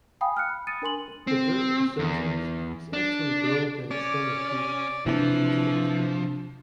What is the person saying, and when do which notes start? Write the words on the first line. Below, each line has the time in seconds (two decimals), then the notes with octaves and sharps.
The term "assumption" is actually broader than its standard use, etymologically speaking.
0.21 F5 G5 G#5 B5 D#6
0.37 F6 F#6 C#7
0.49 B5
0.67 D#6 A6 C#7 D#7
0.82 D4 A#4 G#5 C6 F#7
1.27 C4
1.99 E2
2.93 D4
3.91 C#4 D5
5.06 C3 E3 F3 C#4 D4